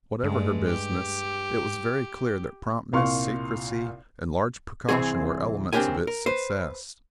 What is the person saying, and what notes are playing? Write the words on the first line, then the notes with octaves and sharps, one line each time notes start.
Whatever her business, it was very clear that promptness, secrecy, and large precaution were elements of its success.
G2 G#3 A3
G4
C2 A#2 F5 C6 C#6
C2 G#2 E3 C4 G#4
C#2 C4 D4 G4 A#4 G#5
A#4
B4 C5